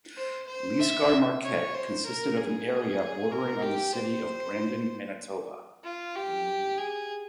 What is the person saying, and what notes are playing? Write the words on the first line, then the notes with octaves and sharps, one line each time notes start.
Lisgar-Marquette consisted of an area bordering on the City of Brandon, Manitoba.
C5
C5
E5
C#5
C5
A#4
G#4
A#4
G4
C5
F4
G4
G#4